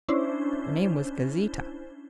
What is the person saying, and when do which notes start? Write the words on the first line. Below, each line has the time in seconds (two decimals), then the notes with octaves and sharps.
Her name was Gauzita.
0.08 C#4 D4 E4 C5